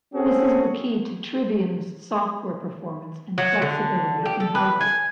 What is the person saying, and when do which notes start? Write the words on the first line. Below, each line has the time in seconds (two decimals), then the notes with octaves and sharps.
This is the key to Trivium's software performance and flexibility in hardware.
0.14 C4 C#4 F#4 G#4 A4
3.38 F#3
3.62 D3
4.26 G4
4.40 A4
4.55 B4
4.81 G#5